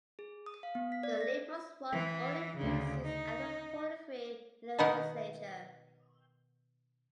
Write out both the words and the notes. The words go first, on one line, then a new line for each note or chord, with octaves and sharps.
The Liberals won only three seats out of forty-three in the legislature.
G#4
D#6
F5
B3
B6
D5
A#6
E3
D2 C#3
D#4
B2 D#3 B3 D#4 A#4 F#5